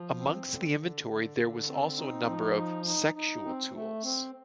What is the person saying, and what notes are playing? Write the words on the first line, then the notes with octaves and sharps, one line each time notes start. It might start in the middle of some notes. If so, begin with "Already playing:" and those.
Amongst the inventory there was also a number of sexual tools.
Already playing: F3
C4
D3
D3
D3
D3
C4
D#4
F3
D#4
D#4
D#4
C4
A3
C4